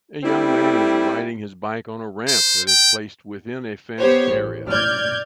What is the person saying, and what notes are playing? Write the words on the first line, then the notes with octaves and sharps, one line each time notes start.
A young man is riding his bike on a ramp that is placed within a fenced area.
G3 A3 C4 E4
C5
G5
B3 G4 C5 C#5
A1
D5 F6 G6 G#6